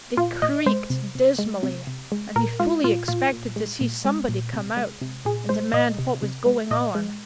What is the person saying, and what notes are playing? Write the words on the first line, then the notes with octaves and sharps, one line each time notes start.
They creaked dismally, and he fully expected to see somebody come out and demand what was going on.
A#2 F4
A#2 D#5
G#3 C5
C3
C3
G#3
C3
C3
G#3
A#2 A#4
G#3 F4
A#2 F4
A#2 F4
A#2
G#3
A#2
G#3
A#2
C3
G#3
C3
A#2 G#4
G#3 C5
A#2 D#5
C3
C3
G#3
A#2 D#5
G#3